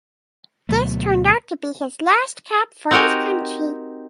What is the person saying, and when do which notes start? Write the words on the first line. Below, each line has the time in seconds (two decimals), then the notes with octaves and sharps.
This turned out to be his last cap for his country.
0.69 D2 B2 F#3 A3
2.91 C4 D#4 F#4 G4 A#4 G#5